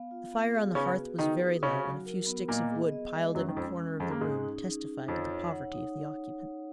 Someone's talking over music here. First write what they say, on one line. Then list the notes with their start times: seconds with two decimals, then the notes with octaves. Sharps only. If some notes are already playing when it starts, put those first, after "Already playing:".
The fire on the hearth was very low, and a few sticks of wood piled in a corner of the room testified to the poverty of the occupants.
Already playing: B3 F5
0.11 F4
0.32 B3
0.55 G#4
0.75 C#3 C#4 B4
0.98 F#4
1.19 D#3 D#4 F#4
1.40 D#4
1.62 C#3 C#4 F#4
1.84 F#3
2.06 A#4
2.26 B3
2.48 A#2 A#3 D#5
2.71 G#4
2.92 D#5
3.13 G#3
3.35 F#2 F#3 C#4
3.48 D#3
3.57 F2 F3 C#4
3.78 C#4
4.00 F2 F3 G#4
4.11 A#3
4.21 G#2 G#3 D#4
4.43 D#4
4.64 D#4
4.87 D#4
5.08 F2 F3 C#5
5.30 C#5
5.51 F#5
5.73 D#4